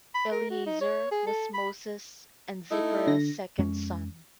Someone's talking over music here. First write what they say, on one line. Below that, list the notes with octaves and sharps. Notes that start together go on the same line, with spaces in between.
Eliezer was Moses and Zipporah's second son.
B5
A#4
F#4
D#4
C#5
G#4
A4
B5
A3 D#4 E4
D3 A#6
F2 G#3 C#4